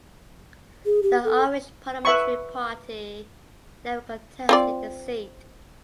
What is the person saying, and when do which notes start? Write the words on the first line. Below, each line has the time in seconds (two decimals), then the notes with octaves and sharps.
The Irish Parliamentary Party never contested the seat.
0.86 G#4
1.03 G4
1.24 A4
2.05 B4 E5 B5 C#6
4.49 C4 F4 D5